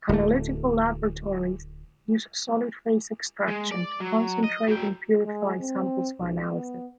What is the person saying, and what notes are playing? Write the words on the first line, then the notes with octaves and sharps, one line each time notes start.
Analytical laboratories use solid phase extraction to concentrate and purify samples for analysis.
D1 A3
G#3
D5
F#3
D#5
F#3 G5
G#3
C4
B1
B3